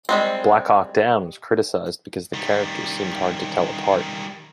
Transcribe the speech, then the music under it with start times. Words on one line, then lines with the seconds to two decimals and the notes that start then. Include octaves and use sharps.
"Black Hawk Down" was criticized because the characters seemed hard to tell apart.
0.09 G3 G#3 C4
2.34 D#3 G3